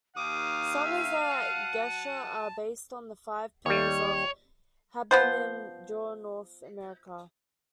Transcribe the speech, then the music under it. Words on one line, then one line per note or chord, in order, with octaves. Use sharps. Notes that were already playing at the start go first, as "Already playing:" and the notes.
Summers at Gesher are based on the five pillars of Habonim Dror North America.
D#2 F5 D6 D#6 D#7
E5
F#3 F#5 A5
D#2 G3 C#5
F3 B3 C5